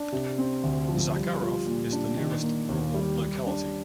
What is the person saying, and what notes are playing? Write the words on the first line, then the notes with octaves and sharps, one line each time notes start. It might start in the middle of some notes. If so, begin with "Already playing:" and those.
Zakharov is the nearest rural locality.
Already playing: D4
C3
C4
D2
F3
G3
F4
A#2
D4
D#3
A#3
D#2
G3
G3
D4